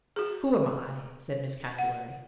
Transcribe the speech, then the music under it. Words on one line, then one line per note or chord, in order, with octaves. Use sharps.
"Who am I?" said Miss Cassewary.
F#4 G#4
F#5